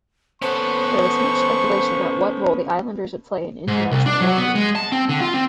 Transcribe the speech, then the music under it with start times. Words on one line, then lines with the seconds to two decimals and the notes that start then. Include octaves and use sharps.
There was much speculation about what role the Islanders would play in international rugby.
0.42 B3 C#4 A4 C5 F#5 C#6
3.68 G#2
3.92 C2
4.06 D4
4.21 F#3
4.37 B3
4.55 G#3
4.75 A5
4.92 C4
5.09 D3
5.21 F4
5.34 C4